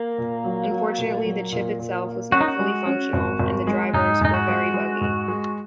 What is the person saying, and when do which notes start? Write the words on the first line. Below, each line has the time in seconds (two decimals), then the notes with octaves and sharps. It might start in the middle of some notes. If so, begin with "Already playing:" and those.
Unfortunately the chip itself was not fully functional and the drivers were very buggy.
Already playing: A#3
0.18 A#2
0.44 F#3
0.71 F#3
0.98 A#2
1.25 F#3
1.52 A#2
1.79 A#2
2.06 A#3
2.32 C#4 F#4
2.41 D#4
2.48 F#4
2.59 G#3
2.86 C#4
3.13 G#1
3.40 G#1
3.67 G#3
3.93 G#2 D#4
4.21 G#2 D#4
4.34 F#4
4.48 G#3
4.74 G#3
5.01 G#2
5.28 G#3